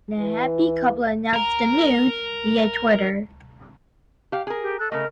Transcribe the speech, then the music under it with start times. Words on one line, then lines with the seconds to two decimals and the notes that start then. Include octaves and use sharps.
The happy couple announced the news via Twitter.
0.19 E3
1.33 A#4 A#5
4.32 G4 F5
4.47 G#4 A#4
4.62 G4
4.79 A4 F#6
4.92 C#3 A3 A#4 D#5